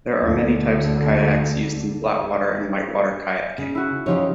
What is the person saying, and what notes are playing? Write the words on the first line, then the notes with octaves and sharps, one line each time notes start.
There are many types of kayaks used in flat water and white water kayaking.
D2 D3
C#3
E4 F#4
C#3 F3 D#4 G4 C#5